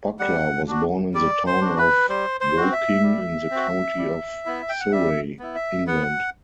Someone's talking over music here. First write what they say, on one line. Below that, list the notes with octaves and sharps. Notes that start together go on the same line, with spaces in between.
Buckler was born in the town of Woking in the county of Surrey, England.
G3 F#5
D4 F#4
G3 D5
C5
D4 F#4
B4
G3 C5
C5
C4 F#4
E5
G3
C4 F#4
G3
B3 E4
G5
F#5
G3 E5
B3 E4
E5
B3 F#5